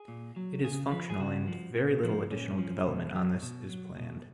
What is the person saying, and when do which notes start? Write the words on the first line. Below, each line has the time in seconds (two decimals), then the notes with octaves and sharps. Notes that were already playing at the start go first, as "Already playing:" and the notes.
It is functional and very little additional development on this is planned.
Already playing: G#4
0.08 A#2
0.36 F#3
0.64 C#3 G#4
0.92 F3 B4
1.10 G#4
1.20 C#3 F#4
1.48 F3
1.75 A#2
2.03 F3
2.30 A#2 C#4
2.58 F3
2.86 B2
3.15 F#3
3.43 B2
3.70 F#3
3.97 B2